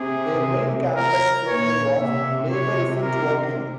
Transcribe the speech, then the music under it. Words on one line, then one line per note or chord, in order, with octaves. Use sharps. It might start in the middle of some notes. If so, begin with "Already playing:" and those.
Their main campaign slogan was "Labour Isn't Working".
Already playing: C3 G#4
A#4
A#2 C#5
C3 E5
C#5
A#4